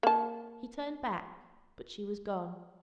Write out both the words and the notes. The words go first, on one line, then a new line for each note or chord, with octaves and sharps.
He turned back, but she was gone.
A#3 A5